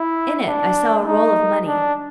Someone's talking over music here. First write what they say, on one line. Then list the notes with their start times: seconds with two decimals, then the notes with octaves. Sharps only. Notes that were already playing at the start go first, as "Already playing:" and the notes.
In it I saw a roll of money.
Already playing: E4
0.47 D4
1.07 D#4
1.67 D4